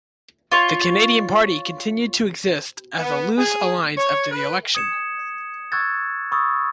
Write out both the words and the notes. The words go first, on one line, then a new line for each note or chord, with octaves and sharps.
The Canadian Party continued to exist as a loose alliance after the election.
F4 C#5
B3
G#4
C#5
B4
D#6 G#6 C#7 E7
C#6 E6 F#6 G#6 A6
B5 C#6 D#6 E6 A6